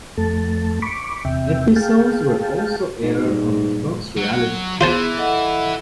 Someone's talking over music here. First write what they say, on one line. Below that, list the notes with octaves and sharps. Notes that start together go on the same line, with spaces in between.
Episodes were also aired on the Fox Reality Channel.
F2 A3 A5
B5 C#6 D6
E2 C3 E5 G5
G#4 F5 G5 A5
G#2
G2 A#2 G#3
F#3
E3 B3 F4 G#4 C5 A5
A4 D#5 F#5